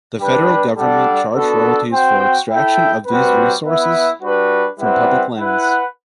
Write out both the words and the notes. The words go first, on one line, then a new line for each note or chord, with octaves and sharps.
The federal government charged royalties for extraction of these resources from public lands.
G3 D4 G4 B4
G3 D4 A4 D5 F#5
B3 D4 F#4 A4
C4 F#4 C5 G5
E4 A4 E5 G5
G3 C4 F#4 B4
B3 E4 B4 E5
G3 D4 F#4 B4
G3 C4 E4 B4 F#5
E4 B4 F#5